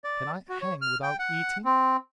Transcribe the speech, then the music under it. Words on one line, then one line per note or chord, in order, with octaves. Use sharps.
Can I hang without eating?
D5
F#4
C#5
F6
G5
F#5
C4